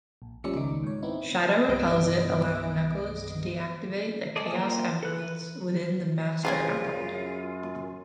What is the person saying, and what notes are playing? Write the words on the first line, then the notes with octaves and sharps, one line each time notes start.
Shadow repels it, allowing Knuckles to deactivate the Chaos Emeralds with the Master Emerald.
A#1
F3 G3 C#4 D5 E5 C#7
C#2 D#3 D#4 D6
G#2 C#5
B3 C4 D#4 E4
C2 G2 B3 D#5 A#6 D7
G#3 G#4 A4 D5 D#5
A#3 F4 C5 G5 A#5
A4 F#6
B4
C2 C#3 G#3 C#4 F4 G#4
F#2